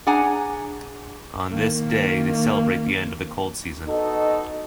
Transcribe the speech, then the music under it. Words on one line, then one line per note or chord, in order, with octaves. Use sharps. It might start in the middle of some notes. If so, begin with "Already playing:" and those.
On this day they celebrate the end of the cold season.
D4 G#4 F#5 G#5 A#5
D#3 A#3
B3 D#4 F#4 A4 D#5